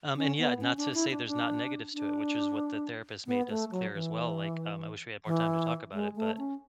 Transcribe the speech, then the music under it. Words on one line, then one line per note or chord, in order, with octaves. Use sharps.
Um, and, yeah, not to say there's not negatives to it, which is what the therapist made us clear, as well, like, um, I wish we had more time to talk about it, but,
C#4
B3
C#4
D4
E4
D4
D4
D4
B3
A3
F#3
E3
E3
G#3
A3
C#4